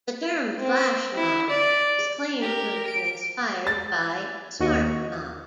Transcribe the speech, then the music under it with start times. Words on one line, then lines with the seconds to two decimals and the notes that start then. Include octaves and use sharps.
The term "flash mob" is claimed to have been inspired by "smart mob".
0.59 C4
1.15 E4
1.50 D5
2.40 G4 A#4
2.87 D7
3.67 A6
4.60 D#2 F#4 D#5 C#6